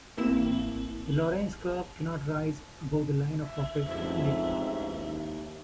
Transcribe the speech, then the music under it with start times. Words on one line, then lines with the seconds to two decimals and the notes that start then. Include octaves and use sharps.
The Lorenz curve cannot rise above the line of perfect equality.
0.17 A1 A#3 C4 E4 E7
3.43 E5
3.87 A1 F2 G#2 E5
4.90 D#2